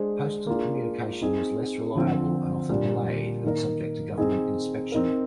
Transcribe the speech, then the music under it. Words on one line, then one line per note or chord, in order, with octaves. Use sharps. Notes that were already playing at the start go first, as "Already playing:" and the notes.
Postal communications was less reliable and often delayed and subject to government inspection.
Already playing: G#3 D4 G#4 C5
A#3 D4 F4 G#4
C4 D#4 G#4
D3 F3 C4
A#2 G3 D4
D#3 A#3 D#4 A#4
C4 D#4 G#4
C4 D#4 A#4